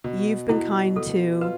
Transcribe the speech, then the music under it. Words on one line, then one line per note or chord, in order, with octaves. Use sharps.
you've been kind to,
B2
B2 E4
B2 A4
F4 B4